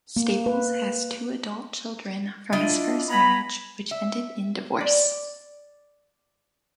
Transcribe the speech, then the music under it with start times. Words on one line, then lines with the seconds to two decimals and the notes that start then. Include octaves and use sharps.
Staples has two adult children from his first marriage, which ended in divorce.
0.16 A#3
0.46 B4
2.53 D4 E4 F4 D#5
3.09 B3 G#5 A#5 B5
3.91 E5
4.80 D5